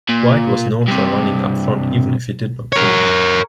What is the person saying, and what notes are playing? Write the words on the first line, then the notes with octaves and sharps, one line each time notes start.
White was known for running up front even if he did not finish.
A#2
G2 C3
A#4 C#5